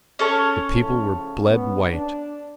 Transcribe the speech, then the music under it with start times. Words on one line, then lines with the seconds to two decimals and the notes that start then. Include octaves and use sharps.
The people were bled white.
0.19 C#4 A4 C#5
0.70 A2 C#3 F3
1.47 B3
1.91 D4